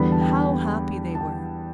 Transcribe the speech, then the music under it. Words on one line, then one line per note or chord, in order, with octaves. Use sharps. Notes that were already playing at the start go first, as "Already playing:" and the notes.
How happy they were!
Already playing: E2 D3 G3 B3 B5
A5
G5
A5
A5
G5